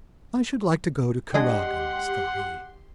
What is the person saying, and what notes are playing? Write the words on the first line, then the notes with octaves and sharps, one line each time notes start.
"I should like to go to Kuragin's," thought he.
G#3 D4 G4 G#4 D#5 F#5 C6